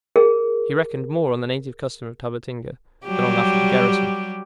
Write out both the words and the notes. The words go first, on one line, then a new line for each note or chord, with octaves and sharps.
He reckoned more on the native custom of Tabatinga than on that of the garrison.
G#4 A#4
F#3 G3 G4